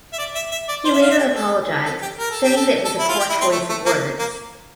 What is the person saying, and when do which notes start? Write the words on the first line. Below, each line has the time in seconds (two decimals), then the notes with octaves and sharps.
He later apologized, saying that it was a poor choice of words.
0.13 E5
0.19 D5
0.35 E5
0.51 E5
0.69 D5
0.85 C5
0.93 E5
1.02 F5
1.10 E5
1.18 G4
1.35 A4
1.86 A4
2.02 G4
2.19 A#4
2.31 A4
2.44 G4
2.56 A4
2.85 A4
2.99 E4
3.08 F4
3.19 G4
3.30 E4
3.41 C4
3.52 A3
3.69 A3
3.86 A#3
4.19 A#3